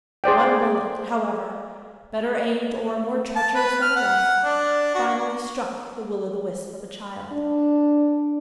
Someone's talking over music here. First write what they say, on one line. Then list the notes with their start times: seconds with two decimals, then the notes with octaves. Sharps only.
One bullet, however, better aimed or more treacherous than the rest, finally struck the will-o'-the-wisp of a child.
0.24 G#4 C5 D5 G5
3.36 A5
3.55 B4
3.82 F6
3.96 F#5
4.44 D4
4.95 F#4
7.32 D4